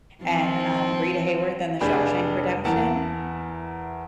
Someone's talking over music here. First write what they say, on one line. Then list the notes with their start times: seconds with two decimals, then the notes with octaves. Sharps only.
and, um, Rita Hayworth in The Shawshank Redemption,
0.24 F3 C4
1.81 F1 D4 G4 G#4 G5 B5
2.65 E2 E4 A#4 F#5 A5